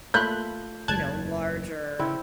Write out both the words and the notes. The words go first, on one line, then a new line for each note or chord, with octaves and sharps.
you know, larger,
A3 A#3 F4 B5 F#6 G6
F#1 E2 A5 F#6 G#6
C#3 C4 E4